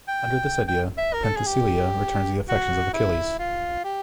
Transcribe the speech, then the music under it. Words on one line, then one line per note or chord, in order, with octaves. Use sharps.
Under this idea, Penthesilea returns the affections of Achilles.
G5
G5
E5
A#4
A4
G#4
G4
F#4
E4
F4
G4